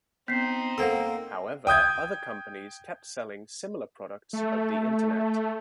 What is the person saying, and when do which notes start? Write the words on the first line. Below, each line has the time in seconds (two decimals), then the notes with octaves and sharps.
However, other companies kept selling similar products over the Internet.
0.28 B3 C4 D#4 B6 C7
0.78 A#3 A4 C5 F#5 G5 C6 E6
1.67 G5 D#6 G6 G#6
4.33 A3